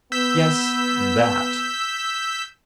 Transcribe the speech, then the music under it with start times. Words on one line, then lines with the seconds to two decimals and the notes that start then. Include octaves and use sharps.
Yes, that.
0.12 B3 E6 G6 B6